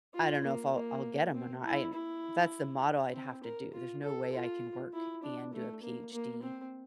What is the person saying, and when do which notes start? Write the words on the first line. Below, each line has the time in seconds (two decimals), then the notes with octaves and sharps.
I don't know if I'll I'll get 'em or not. I that's the model I'd have to do. There's no way I can work and do a PhD
0.14 F4
0.44 A#3
0.74 A#3
1.34 C4
1.64 E4
1.94 E4
3.14 C4
3.44 A#4
3.74 F4
4.03 A4
4.33 F4
4.94 E4
5.23 D4
5.53 A3
5.83 A#3
6.13 A#3
6.43 C4